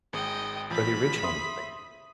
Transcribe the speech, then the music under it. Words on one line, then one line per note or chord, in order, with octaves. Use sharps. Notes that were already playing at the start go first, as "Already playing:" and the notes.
or the original was live?
G#1 G#3 D#5 G5
A1 F3 B5 B6
E5 C6 D#6